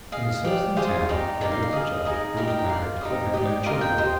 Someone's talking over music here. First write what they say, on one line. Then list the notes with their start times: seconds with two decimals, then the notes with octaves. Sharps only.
In a certain town there lived a judge who was married but had no children.
0.12 G#4 D#5 F5
0.45 G4 D5
0.77 F4 G#4 C5 F5
1.09 D#4 G4 D5
1.41 D#4 A#4 D5 G5
1.51 F5
1.63 F5
1.73 G#4 D#5
2.05 D#4 G#4 D#5
2.37 D#4 G4 A#4 D5 F5
2.48 G5
2.59 G5
2.69 F4 G#4 D5 F5
3.01 D#4 G4 C5 D#5
3.33 G4 D5 D#5
3.66 F4 A#4 D#5 F5
3.81 G5
3.98 G4 C5 D#5